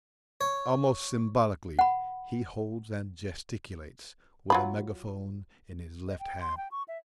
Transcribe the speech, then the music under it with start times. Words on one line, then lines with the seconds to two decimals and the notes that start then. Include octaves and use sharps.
Almost symbolically he holds and gesticulates with a megaphone in his left hand.
0.41 C#5
1.79 F#5 B5
4.50 F#3 F4 B5
6.08 D#5
6.19 G5
6.41 C6
6.57 G5
6.71 C#6
6.88 E5